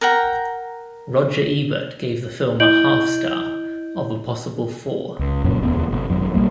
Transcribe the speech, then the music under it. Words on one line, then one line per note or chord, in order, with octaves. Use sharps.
Roger Ebert gave the film a half-star of a possible four.
A#4 F#5 G5 A#5
E4 D#5 G6 D7 F#7
C#2
F1 F#2 A#2 C#3
E1 D2 B3
G#1 C3
G#1 F#2 D#3
B1 G#2 G3 A#3